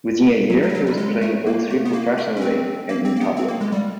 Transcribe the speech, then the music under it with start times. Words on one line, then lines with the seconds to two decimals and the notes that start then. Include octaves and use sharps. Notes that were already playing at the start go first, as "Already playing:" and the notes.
Within a year he was playing all three professionally and in public.
0.50 F#3
0.63 F#3
0.69 G3
0.75 F#3
0.87 G3
0.97 G#3
1.21 A3
1.46 A#3
1.70 A3
1.85 B3
1.93 A#3
2.18 A3
2.37 C#4
2.42 C4
2.89 A#3
3.05 C4
3.16 A#3
3.21 B3
3.37 C4
3.48 A#3
3.61 G#3
3.72 G3